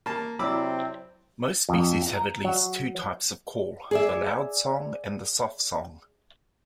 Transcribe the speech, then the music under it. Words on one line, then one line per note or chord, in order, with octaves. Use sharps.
Most species have at least two types of call, the "loudsong" and the "softsong".
A#3 A5
C3 F#3 C4 E4 D5 B5 D6 E6
F2
A#5
F#3
G#4 D5 E5